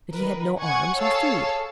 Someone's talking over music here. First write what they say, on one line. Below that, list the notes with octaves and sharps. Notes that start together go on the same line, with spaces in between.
But he had no arms or food.
D#3 A#4 B4
F#5 G#5 C#6 G#6
G#4 A4 C#5 F5 A5 E6